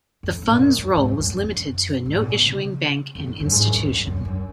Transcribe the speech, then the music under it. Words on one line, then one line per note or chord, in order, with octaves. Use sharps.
The Fund's role was limited to a note-issuing bank and institution.
F2
G#2
A#2
F#2
F#2
G#2
F#2
F#2
F#2
F#2
G#2
A#2
B2
C#3
F2
F2
F#2
G#2
F#2
F2
F#2
F#2
F#2